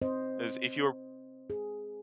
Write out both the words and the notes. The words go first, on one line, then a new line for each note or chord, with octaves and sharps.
As if you're
C4 C5 D#5
G#4